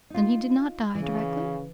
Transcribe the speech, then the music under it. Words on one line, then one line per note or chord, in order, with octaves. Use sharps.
'Then he did not die directly?'
D#4 F4
C#3 E3